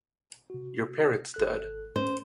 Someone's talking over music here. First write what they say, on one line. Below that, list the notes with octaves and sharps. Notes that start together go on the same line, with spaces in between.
Your parrot's dead.
C3 F#4
G#1 A4 F#6
C#4 C5